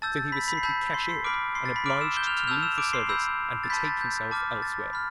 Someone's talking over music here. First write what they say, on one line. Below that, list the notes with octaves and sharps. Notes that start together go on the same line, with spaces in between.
So he was simply cashiered and obliged to leave the service and betake himself elsewhere.
A5 E6 G6 A6
A6
B5 B6
B5 B6
C7
A5 B5 E6 G6 B6
C6 C7
B6
C6 C7
B5 D6 F6 D7
C6 C7
A6
B5 B6
C6 D6 F6 D7
E6 E7
G6 G7
F6 F7
F6 F7
A5 E6 F6 G6 F7
E6 E7
D6 D7
C6 C7
B5 E6 G6
A6
A5 B5 C6 G6 B6
A6
G6
A5 D6 F6
A6
B5 F6